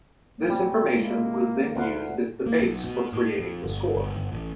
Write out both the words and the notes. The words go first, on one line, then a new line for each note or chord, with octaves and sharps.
This information was then used as the base for creating the score.
G3 C4 C#4
G#3 A#3 E4
D2 B4 F5 F#5
A#3
B1
B2
A2
F2
G1
G1
G1
A1